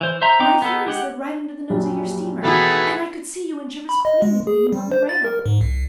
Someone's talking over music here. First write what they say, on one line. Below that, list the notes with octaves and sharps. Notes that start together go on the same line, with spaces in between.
My ferry slid right under the nose of your steamer, and I could see you and Jervis plainly leaning on the rail.
E3 C5
C5 E5 A#5
C4 D#4 G5 A#5 D6
B3 D#4 A4
G#3 G4 F#5
A#1 F#2 G3
B2 D#3 E3 A3 B3 G#4 B4
B5
D#5
G#3
G#4
G3
C5
A6
A#4
G#2
C2